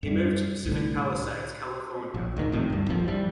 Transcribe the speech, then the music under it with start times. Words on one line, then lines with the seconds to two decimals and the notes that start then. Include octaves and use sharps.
He moved to Pacific Palisades, California.
0.03 F#2 G3
0.65 C2 A2 D3
2.14 A#1
2.37 D1 G#2 D#3
2.52 F2 A2 C3
2.70 D1 G2
2.88 A#1 F2 F3
3.08 E3 G3